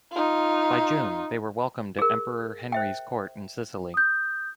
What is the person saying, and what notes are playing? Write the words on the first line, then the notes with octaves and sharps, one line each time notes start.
By June, they were welcomed at Emperor Henry's court in Sicily.
D#4 F4
G#4 A#4
C5 E5 G5
D#6 G6